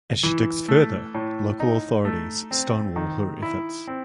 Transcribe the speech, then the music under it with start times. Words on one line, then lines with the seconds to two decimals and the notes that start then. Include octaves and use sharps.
As she digs further, local authorities stonewall her efforts.
0.23 E3
0.68 A3
1.14 A2
1.60 D#4
2.05 A3
2.51 C4
2.96 D#3
3.42 E4
3.88 C4